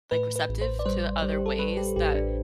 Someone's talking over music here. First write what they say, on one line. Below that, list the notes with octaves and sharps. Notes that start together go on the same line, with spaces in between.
like, receptive to other ways that
A2 B4
B4
A1
C5
D5
G3 C5
G3
G4
A4
G3 B4
G4
A1 G4
D4